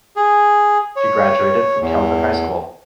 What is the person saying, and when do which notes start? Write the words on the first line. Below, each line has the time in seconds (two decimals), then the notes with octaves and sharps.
She graduated from Kelvin High School.
0.16 G#4
0.96 C#5
1.81 E2